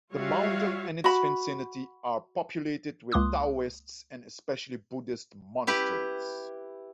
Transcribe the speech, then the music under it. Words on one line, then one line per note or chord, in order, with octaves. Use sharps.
The mountain and its vicinity are populated with Taoist and especially Buddhist monasteries.
G3 F4 F#4 C#5 E5 F5
F#4 B5
C#2 A#3 C6 D6 D#6 F#6
E4 G4 B4